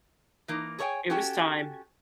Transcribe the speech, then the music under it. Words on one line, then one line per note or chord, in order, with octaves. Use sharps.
it was time.
E3 A#3 D#4
G#4 A4 C#5 E5 G5 G#5
C#4 F#4 G4 A4 G5